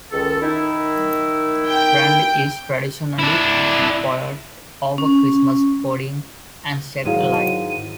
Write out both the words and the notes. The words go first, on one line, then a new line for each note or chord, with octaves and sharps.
Brandy is traditionally poured over Christmas pudding and set alight.
C#2 D#3 A4
D#3 D#4 E4
G5
D4 E4
C#4
G#2 D#3 F#3 G#3 E4 G#4 F5 D#7